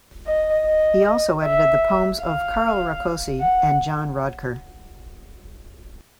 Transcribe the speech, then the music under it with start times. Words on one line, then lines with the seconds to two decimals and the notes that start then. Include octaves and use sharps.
He also edited the poems of Carl Rakosi and John Rodker.
0.27 D#5
0.67 D#5
1.44 E5
2.23 F5
3.40 F#5